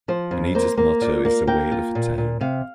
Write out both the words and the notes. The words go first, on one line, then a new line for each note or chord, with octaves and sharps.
Anita's motto is A Whale of a Town.
F3 C5
F2
A#3 C5
A#3
F4 D5
A#3
A#3 G5
F4
A#2
A#2
C3 F5